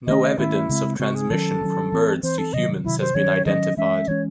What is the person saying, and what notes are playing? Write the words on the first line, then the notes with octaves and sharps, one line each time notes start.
No evidence of transmission from birds to humans has been identified.
D#3 A3 C#4 D#5
D#3 A3 C#4 E4
C#3 G#3 C4
C#3 G#3 C4 F#4
G#4
D#3 F#3 C#4 A4
D#3 F#3 C#4
E3 C4
E3 C4 C5
A4
C3 D#3 F#3 D#5
C3 D#3 F#3 E4
C5
D#3 F#3 C#4 C#5
D#3 F#3 C#4 D#5
E3 G#3 C#4 E5
E3 G#3 C#4 C#5